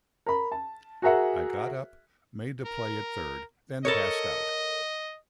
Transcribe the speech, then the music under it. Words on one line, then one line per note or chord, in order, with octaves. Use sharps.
I got up, made the play at third, then passed out.
A#4 B5
A5
F#4 G#4 A#4 E5 F#5
A#4
A4 A#4 C#5 D#5